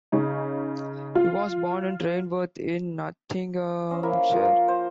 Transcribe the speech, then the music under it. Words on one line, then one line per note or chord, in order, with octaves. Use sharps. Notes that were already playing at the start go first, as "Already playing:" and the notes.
He was born in Rainworth in Nottinghamshire.
C#3 C#4 D#4
F4
C#4 C5 D#5 G#5
A#3 E4 A#4 E5
F3 A#4
C5